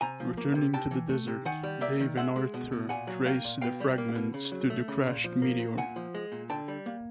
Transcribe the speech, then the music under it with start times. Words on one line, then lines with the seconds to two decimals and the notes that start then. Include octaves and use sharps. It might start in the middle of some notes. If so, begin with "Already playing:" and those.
Returning to the desert, Dave and Arthur trace the fragments to the crashed meteor.
0.01 C3 G#5 A#5
0.20 F3
0.37 A#3
0.55 C3
0.74 C3 G5 A5
0.91 E3
1.09 A3
1.27 C3
1.45 D#3 F#5 G#5
1.63 G3
1.81 A#3 D5 E5
2.00 D#3
2.17 G#3 E5 F#5
2.36 G#3
2.54 B2
2.72 B2
2.89 A#2 F#5 G#5
3.07 F#3
3.25 A#3 F5 G5
3.44 A#2
3.61 B2 F5 G5
3.80 G3
3.98 A#3
4.15 B2
4.34 C#3
4.52 F#3
4.70 A3
4.88 C#3
5.06 A#2
5.24 F3
5.42 A#3
5.59 A#2
5.78 A#2 F#5 G#5
5.96 F3
6.15 G#3
6.32 A#2
6.49 D3 G5 A5
6.68 G3
6.86 A#3